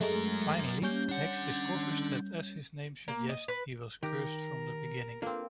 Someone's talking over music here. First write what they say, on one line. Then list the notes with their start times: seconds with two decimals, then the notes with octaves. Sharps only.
Finally, Hex discovers that, as his name suggests, he was cursed from the beginning.
0.01 F#3 G#3 A3 A#4
0.82 G3 A#3 C#4 G6
1.09 D4 F#5
3.08 A#3
3.29 D#5
3.48 B4
4.03 D#3 G4 A#4
5.22 A#3 C4 D4 F4 A4